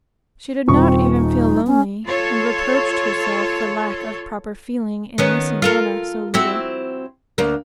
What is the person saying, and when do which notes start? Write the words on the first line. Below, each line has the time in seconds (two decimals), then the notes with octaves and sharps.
She did not even feel lonely, and reproached herself for lack of proper feeling in missing Anna so little.
0.68 D#1 C4 C#6
1.17 D#4
1.67 C#4
2.06 F4 A4 C#5
5.18 D#3 B3 C#4
5.62 F4 A4 A#4
6.34 C4 E4 F#4
7.38 D2 A#3